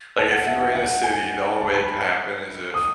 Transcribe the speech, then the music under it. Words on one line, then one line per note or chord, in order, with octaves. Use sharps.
like, if you were in a city, the only way it could happen is if
A5
F#5
E5
F#5
F#5
G#5
A5
B5
D#6